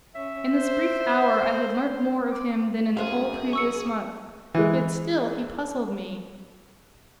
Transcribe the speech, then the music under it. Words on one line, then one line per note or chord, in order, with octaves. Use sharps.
In this brief hour I had learnt more of him than in the whole previous month: yet still he puzzled me.
C#4 E5
C5
D6
F#2 G#4 C5 F5
C#6 E6 C#7
E3 G#3